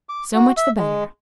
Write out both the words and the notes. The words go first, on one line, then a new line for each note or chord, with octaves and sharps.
"So much the better."
D6
F#4
E5
G#3